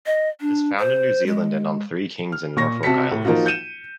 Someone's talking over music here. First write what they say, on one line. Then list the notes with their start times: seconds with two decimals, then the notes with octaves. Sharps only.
It is found in New Zealand and on Three Kings and Norfolk Islands.
0.06 D#5
0.41 D4
0.78 C5
1.27 G#3
2.32 F6
2.57 A#2 C#6 A#6
2.83 C3 F#4 A5 B6 C#7
3.12 A2
3.25 F3 A#3 D#4 F4 F#4
3.46 G6 C#7 D#7 E7